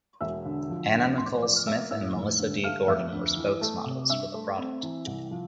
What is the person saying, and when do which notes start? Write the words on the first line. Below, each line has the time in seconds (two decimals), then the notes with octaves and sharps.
Anna Nicole Smith and Melissa D. Gordon were spokesmodels for the product.
0.21 E1 E5 E6
0.45 D3
0.70 F3
0.93 D2
1.18 A1 C6
1.26 D6
1.32 C5 C6
1.42 F3 D5 D6
1.56 F6
1.67 A#3 E5 E6
1.91 A2 E5 E6
2.15 F1
2.39 D3
2.64 A3 F5 F6
2.88 F2 E5 E6
3.12 D2
3.37 E3
3.61 A3
3.86 C3
4.10 G2 E5 E6
4.34 A3
4.58 C4
4.83 E3
5.07 C2
5.31 F3